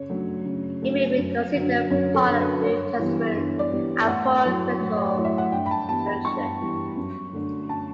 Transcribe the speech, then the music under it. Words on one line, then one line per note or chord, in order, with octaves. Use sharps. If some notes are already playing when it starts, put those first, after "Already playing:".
It may be considered part of the New Testament apocryphal tradition.
Already playing: C#3 C#5
F#3 A3 D4
C#3
F#3 A3 D4
F#2
D3 F#3
F#2 C#5
A4
D3 F#3
B4
G2 C#5
E3 G3 B3
G2
D5
E3 G3 B3
A2 F#5
F#3 A3 E4
A2
C#5
D5
F#3 A3 E4
E5
F#5
G2 G5
B5
A5
E3 G3 B3 A5
B5
G2 C#6
E3 G3 B3
F#2
D3 A3 D4
A5